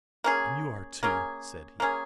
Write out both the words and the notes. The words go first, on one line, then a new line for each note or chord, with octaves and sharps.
"And you are, too," said he.
A#3 C#4 G#4
A#3 C#4 G#4
A#3 C#4 G#4